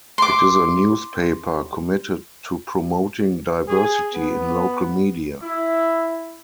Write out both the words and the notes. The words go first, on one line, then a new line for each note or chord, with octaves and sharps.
It is a newspaper committed to promoting diversity in local media.
C6 D6
G#4
B3
E4